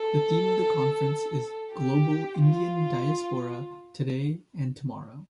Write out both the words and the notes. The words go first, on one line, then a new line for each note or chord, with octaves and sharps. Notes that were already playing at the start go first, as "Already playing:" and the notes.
The theme of the conference is "Global Indian Diaspora: Today and Tomorrow".
Already playing: A4
G4
F4